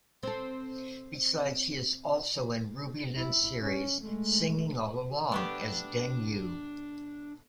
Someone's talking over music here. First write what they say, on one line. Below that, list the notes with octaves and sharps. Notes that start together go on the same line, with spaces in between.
Besides, he is also in Ruby Lin's series "Singing All Along" as Deng Yu.
C4 A4
E4
C#4
G#3 A3
A3 B3 D4 G4